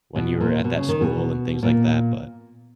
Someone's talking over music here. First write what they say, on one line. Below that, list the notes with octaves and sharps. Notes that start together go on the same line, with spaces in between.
when you were at that school and things like that, but
B2
A#2
B2
C#3
D#3
B2
A#2